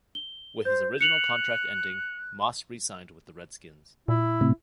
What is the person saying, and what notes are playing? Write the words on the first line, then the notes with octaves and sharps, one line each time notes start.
With his original contract ending, Moss re-signed with the Redskins.
G7
C5 G6
F#6 C#7 F7 F#7
A#2 E4
A2 C3